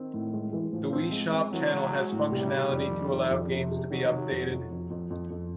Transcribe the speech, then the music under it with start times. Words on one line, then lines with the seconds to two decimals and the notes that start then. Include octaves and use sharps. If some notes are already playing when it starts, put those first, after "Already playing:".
The Wii Shop Channel has functionality to allow games to be updated.
Already playing: D#3 C4
0.14 A2
0.33 G#3
0.53 E3
0.72 A2 F3
0.93 C4
1.12 G#3
1.32 C4
1.52 E3 F#3
1.72 G#3
1.92 G#3
2.12 A2
2.32 C3 G3
2.52 D#3
2.71 F2
2.92 D#3
3.11 F2
3.31 F2
3.51 C3
3.71 C3
3.90 D#3 F#3
4.11 C3
4.31 F2
4.50 F2
4.71 F2
4.90 F2
5.10 F2
5.30 F2